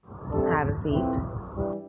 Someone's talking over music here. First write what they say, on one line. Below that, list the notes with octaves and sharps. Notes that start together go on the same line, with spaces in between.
Have a seat.
C3 G3 D4 A4
A2 F3 C4 E4 B4
G2 E3 G3